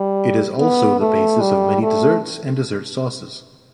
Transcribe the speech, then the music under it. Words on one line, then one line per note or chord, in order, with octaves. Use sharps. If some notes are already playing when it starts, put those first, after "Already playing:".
It is also the basis of many desserts and dessert sauces.
Already playing: G3
B3
A3
G3
A3